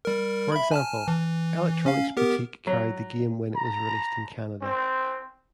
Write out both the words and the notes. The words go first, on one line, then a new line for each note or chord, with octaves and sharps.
For example, Electronics Boutique carried the game when it was released in Canada.
G3 A#4
E5 B5
G#5 A5 F6
E3
C#4 F5
B3 G4 A#4
F#3
A#5
C4